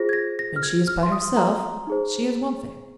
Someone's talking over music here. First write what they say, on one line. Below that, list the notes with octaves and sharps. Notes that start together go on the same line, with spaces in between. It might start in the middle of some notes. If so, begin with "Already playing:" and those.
When she is by herself, she is one thing.
Already playing: F4 G#4 C5 A#6
G#6
A#6
A#6
F6
G#6
F6
C6
D#6
A#5
D#4 G#4 C5